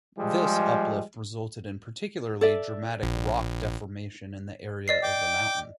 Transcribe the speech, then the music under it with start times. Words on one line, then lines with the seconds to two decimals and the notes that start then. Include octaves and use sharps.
This uplift resulted in particularly dramatic rock deformation in the area of the mountain.
0.18 F3 G3 G#3
2.41 A4 D5 E5
3.03 A#1
4.88 D5 D#5 C7
5.03 G5 D6